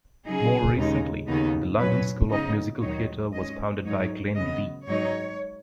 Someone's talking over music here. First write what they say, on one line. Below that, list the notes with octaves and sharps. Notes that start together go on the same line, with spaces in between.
More recently, the London School of Musical Theatre was founded by Glenn Lee.
C#3 F#3 D#4 G#4
D#2 C#3 G#3 D#4
D#2 C#3 B3 D#4
F#2 F#3 C#4 B4
C#3 B3 D#4 D#5
D#2 D#3 F#3 D#4 C#5
G#2 G#3 C#4 D#5
G#2 F#3 D#4 C#5
C#3 F#3 B3 D#5
G#2 F#3 D#4 C#5